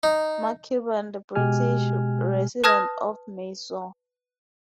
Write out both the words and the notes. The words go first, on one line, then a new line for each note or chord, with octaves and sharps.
Mark Cubbon, the British Resident of Mysore.
D#4
B2 G#3 G4 G#5 F6
B4 A5 D#6 F6 G#6 A#6